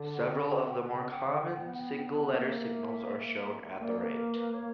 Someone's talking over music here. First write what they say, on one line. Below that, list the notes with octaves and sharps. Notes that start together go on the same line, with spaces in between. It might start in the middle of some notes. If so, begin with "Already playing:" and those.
Several of the more common single-letter signals are shown at the right.
Already playing: D3
F#5
G5
F#5
G5
F#5
G5
F#5
C#3 G5
F#5
G5
D3 F#5
G5
F#5
G5
B3 F#5
G5
F#5
G5
F#5
A#3 E5
A#3 D5
B4
A#4
B4
C#5